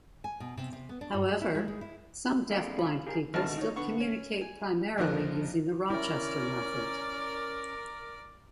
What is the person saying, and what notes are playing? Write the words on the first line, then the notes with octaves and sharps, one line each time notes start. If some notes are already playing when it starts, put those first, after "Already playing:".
However, some deafblind people still communicate primarily using the Rochester Method.
G#5
B2
C3
C3
B3
D4
G2
G#3
E4
G#3
G#3
E4
A#3 C4 D4 E4 G#4 A4
B1 C#3 B5
D#2 G4 G#4 A#4
G#1 B2 D3 A3 A5 F6
D#4 C#5
D3 B3 C#6
C#4
G#5
A#1 F2 D#3 F3 A#4 F#6
C#4 E4 A#4 D5